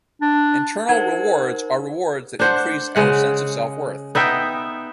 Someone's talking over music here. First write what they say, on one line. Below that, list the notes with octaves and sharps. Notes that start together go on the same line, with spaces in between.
Internal rewards are rewards that increase our sense of self-worth.
D4
D#4 A#4 C5 F#5 G#6
D4 C5 F#5
C#3 G#3 F#5
B3 D#4 E5 G5